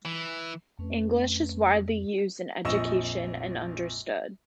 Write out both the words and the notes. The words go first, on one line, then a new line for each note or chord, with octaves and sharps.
English is widely used in education and understood.
E3
F2 A3 C#4 B4
A#1 F2 D#5 C#6 E6 E7